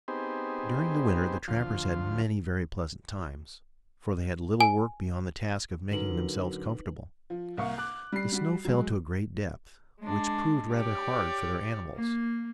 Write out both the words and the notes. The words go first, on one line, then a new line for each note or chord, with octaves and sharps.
During the winter the trappers had many very pleasant times, for they had little work beyond the task of making themselves comfortable. The snow fell to a great depth, which proved rather hard for their animals.
B3 C4 D#4 G4 G#4 C5
D2 F3 F4 C6
G#5
D3 F#3 C#4 D#4 A#4 B4 F#7
F3
C2 A#3 C#6
D6 F#6
G3 C7
G3 F#4
F#3 G#3
G#3 D4
G4 C#5 D5
A#3